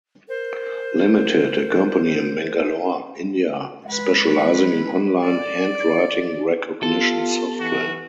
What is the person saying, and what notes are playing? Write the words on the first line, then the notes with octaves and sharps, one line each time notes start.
Limited, a company in Bangalore, India specializing in online handwriting recognition software.
A#4 C5
G#3 B4
D5
B3 F4 G4 A4
E3 F#4